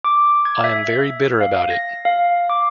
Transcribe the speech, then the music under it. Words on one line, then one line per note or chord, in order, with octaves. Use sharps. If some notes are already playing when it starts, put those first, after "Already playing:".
I am very bitter about it.
D6
G#6
E5
F5
A#6
F5
D6